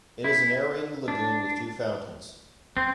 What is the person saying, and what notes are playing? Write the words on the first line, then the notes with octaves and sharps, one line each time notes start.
It is an aerated lagoon with two fountains.
E4
D4
C4